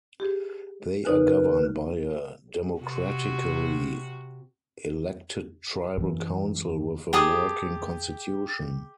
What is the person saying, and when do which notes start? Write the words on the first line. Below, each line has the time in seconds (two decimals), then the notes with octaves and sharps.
They are governed by a democratically elected tribal council, with a working constitution.
0.20 G4 G#4
1.05 C#3 D#4 A#4 B4 G#5
2.80 C3 F#4
5.98 F#2 E3
7.13 G4 G#4 A5 D#6